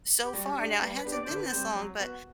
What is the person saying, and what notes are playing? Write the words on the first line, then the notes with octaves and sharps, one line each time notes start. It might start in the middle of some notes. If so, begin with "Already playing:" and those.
so far. Now it hasn't been this long, but
G4
G3 F#4
G4
D4 G4
G3 B4
B4
B3 D4 G4
D5
D3 C5
B4
C5
G3 C4
F#3
B3 F#4